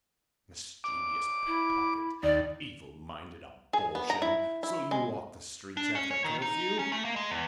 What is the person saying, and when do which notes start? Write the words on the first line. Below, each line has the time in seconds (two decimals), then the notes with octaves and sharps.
Mischievous pick-pocket, evil-minded abortion, so you walk the streets after curfew?
0.84 D6
1.47 E4
2.23 D#2 D5
3.73 G#4
3.95 B3
4.10 A#5
4.22 E4
4.63 E4
4.91 G#3
5.77 D4
5.95 C#4
6.11 C#5
6.24 D#3
6.42 D#4
6.79 C#4
6.92 A3
7.05 A#3
7.16 G#3
7.30 E2